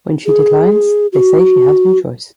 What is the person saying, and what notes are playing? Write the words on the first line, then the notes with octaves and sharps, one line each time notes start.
When she declines, they say she has no choice.
G#4
F#4